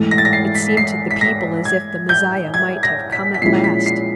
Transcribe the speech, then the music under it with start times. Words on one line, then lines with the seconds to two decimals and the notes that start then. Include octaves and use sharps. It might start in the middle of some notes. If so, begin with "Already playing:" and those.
It seemed to the people as if the Messiah might have come at last.
Already playing: G#2 E3 A3
0.11 A#6
0.18 A6
0.25 A#6
0.33 C7
0.55 B6
0.77 C7
1.11 B6
1.21 A#6
1.65 G#6
2.09 G6
2.54 G#6
2.83 A#6
3.12 B6
3.34 B6
3.42 A#2 F3 G#3 C#4 E4 C7
3.64 B6
3.86 C7